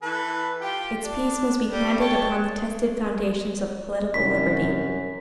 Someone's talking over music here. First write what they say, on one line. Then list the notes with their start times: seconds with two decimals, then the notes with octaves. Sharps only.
Its peace must be planted upon the tested foundations of political liberty.
0.02 E3 A4 B4
0.61 F4 G4 G5
1.04 D4
1.70 G3
2.00 C#5 G5 A5
4.14 C2 F#2 D#3 C#5 B6